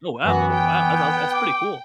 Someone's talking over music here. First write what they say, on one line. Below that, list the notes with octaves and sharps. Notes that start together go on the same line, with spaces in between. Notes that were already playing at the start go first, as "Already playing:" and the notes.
Oh wow, wow, that's awes that's pretty cool.
F#2 E3 B3 F#4
G5
D6